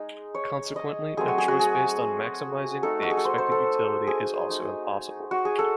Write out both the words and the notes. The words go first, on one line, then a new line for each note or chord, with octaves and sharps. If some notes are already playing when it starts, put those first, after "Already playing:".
Consequently, a choice based on "maximizing" the expected utility is also impossible.
Already playing: G#3 D#4 G#4
C#5
D#5
F#3 A3 C4 G#4
F#4
G#4
F#4
G#4
A3 D#4 A4
F#4
G#4
A4
C5
C5
A4
G#4
A3 D#4
F#4
G#4
A4